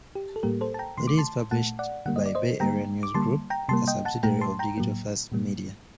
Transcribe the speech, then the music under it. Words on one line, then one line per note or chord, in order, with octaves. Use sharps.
It is published by Bay Area News Group, a subsidiary of Digital First Media.
G4
A4
A2 G3 A#3 G4 A#4
A4 C5
A5
G5 A#5
C3 D#3 A3 C6
D6
A5 C6
A#2 A3 F#5 A5
D5 F#5
D3 G3 A#3 F#5
D#5
D5
C5 D#5
D3 G3 A#3 G5 A#5
D6
D3 G3 A#3 A5 C6
G5 A#5
C3 G3 A#3 A5 C6
D#5 G5
F#5 A5
A#2 A3 G5 A#5
A5 C6
G5 A#5
A2 F#3 A#3
A#2 G3 A#3